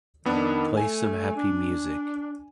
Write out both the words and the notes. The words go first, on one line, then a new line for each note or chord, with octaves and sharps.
Play some happy music.
F2 D#3 B3 D4
A3 G#5
D4